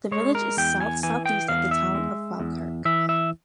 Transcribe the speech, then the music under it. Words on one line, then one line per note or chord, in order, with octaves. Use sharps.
The village is south-southeast of the town of Falkirk.
G#3 C#5
A#4
E2 G5
G#5
E3 G#5
G5
E2 F5
E5
G#3
E2
E3 E5
E5